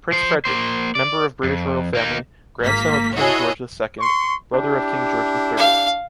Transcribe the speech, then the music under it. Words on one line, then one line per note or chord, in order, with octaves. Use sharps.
Prince Frederick, member of British Royal Family, Grandson of King George II, brother of King George III.
F3 C5
A#3 C5
D5
F2
A#3 D#4
G#1 A#3 B6
E4 F#4 G#4 A4 C#5 D#5
C6 C#6
D4 E4 G4
F5